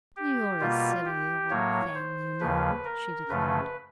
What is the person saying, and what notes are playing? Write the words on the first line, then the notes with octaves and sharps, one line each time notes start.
"You're a silly old thing, you know," she declared.
G4
B2 G3 A#3 F4
G4
A2 F#3 A#3 C#5
C5
D#2 C#3 F3 B4
A#4
F#2 C#3 F3 A3 B4